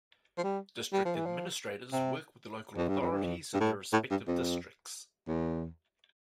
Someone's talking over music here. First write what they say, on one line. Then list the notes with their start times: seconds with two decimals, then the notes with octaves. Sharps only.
District Administrators work with local authories in their respective districts.
0.38 F3
0.44 G3
0.93 G3
1.05 F3
1.16 E3
1.26 F3
1.93 C3
2.77 F2
2.89 G2
3.01 F2
3.12 G2
3.23 F2
3.54 G2
3.60 A2
3.93 A2
4.10 G2
4.27 F2
5.27 E2